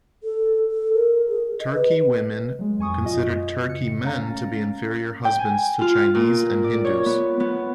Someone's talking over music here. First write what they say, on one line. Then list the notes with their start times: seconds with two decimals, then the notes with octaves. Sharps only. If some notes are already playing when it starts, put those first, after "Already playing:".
Turki women considered Turki men to be inferior husbands to Chinese and Hindus.
0.23 A4
0.71 A4
0.94 A#4
1.28 G#4
1.59 D#5
1.74 B4
2.59 F#3 G#3
2.79 F2 G#5 C#6 D#6
3.02 F#2 B2 F4 D#5
3.68 C#3 C#7
4.03 A3 C#4 F5 A#5 A6
5.25 G5
5.39 G#5
5.81 F4
6.15 A#2
6.64 D5
6.85 C#5
7.06 B3
7.40 B3